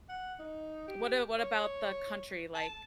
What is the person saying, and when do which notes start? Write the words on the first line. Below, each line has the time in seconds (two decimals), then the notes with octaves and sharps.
what a what about the country, like,
0.09 F#5
0.39 D#4
0.88 G4
1.38 C#5
2.55 A5